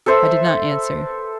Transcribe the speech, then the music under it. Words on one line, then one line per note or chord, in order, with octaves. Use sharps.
I did not answer.
A4 B4 C5 E5